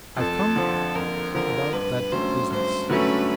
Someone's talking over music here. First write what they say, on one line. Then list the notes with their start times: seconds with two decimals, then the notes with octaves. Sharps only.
"I've come--about that business."
0.16 F2 A4
0.56 D3 F3
0.95 F2 A#4
1.34 D3 F3 A#4
1.73 G2 B4
2.12 D3 F#3 A3 C#4 C5
2.50 G2 C5
2.90 D3 F#3 A3 C#4 B4